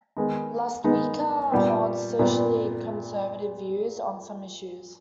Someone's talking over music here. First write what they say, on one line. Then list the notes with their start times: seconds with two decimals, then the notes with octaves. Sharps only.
Lastewka holds socially conservative views on some issues.
0.17 D#3 G#3 B3 D#4
0.84 D#3 G#3 B3 D#4
1.52 A#2 G3 B3
2.19 A#2 G3 B3